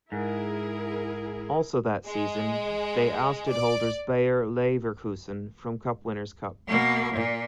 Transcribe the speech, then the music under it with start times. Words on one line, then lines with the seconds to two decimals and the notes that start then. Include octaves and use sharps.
Also that season, they ousted holders Bayer Leverkusen from Cup-Winners' Cup.
0.12 G#2 E4 G#4 A#4
2.08 G#3
3.51 D5
6.68 B2 A#3
7.13 A#2